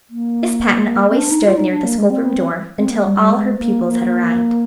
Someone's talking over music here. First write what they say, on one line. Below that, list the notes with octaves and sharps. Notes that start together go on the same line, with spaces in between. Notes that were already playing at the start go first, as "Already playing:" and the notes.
Miss Patten always stood near the schoolroom door until all her pupils had arrived.
A#3
C4
D4
D#4
F4
D#4
D4
A#3
G#3
C4
C4
A#3
G3
G3
G#3
A#3
A#3